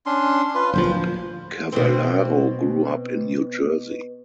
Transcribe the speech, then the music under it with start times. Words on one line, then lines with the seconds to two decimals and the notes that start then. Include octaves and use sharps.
Cavallaro grew up in New Jersey.
0.06 C#4 D4 C6
0.55 F4 B4
0.73 D1 A#1 F3 C5
1.72 B2 C4